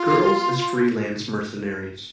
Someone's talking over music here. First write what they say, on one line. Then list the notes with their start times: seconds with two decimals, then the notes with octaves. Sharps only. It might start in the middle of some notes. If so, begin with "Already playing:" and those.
Girls as freelance mercenaries.
Already playing: F4